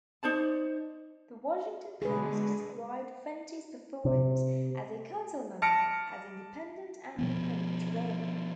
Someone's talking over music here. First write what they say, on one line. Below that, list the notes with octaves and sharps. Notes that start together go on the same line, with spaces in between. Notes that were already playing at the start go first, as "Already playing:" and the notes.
"The Washington Post" described Fenty's performance as a Council member as "independent" and "contrarian".
D#4 C5 D5 A5
B2 D3 G#3 G#4 B4
C3
A5 F6 A#6 C#7 D7
B2 F3 G3 B3